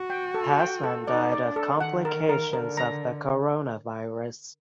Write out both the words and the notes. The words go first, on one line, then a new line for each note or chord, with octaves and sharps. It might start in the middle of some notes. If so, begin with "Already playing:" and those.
Passman died of complications of the coronavirus.
Already playing: F#4
G5
A4
G5
A4
D#4 D5
D5
D4
A4
D#3 F#5
A#4
A#4
D3 A#4
A#5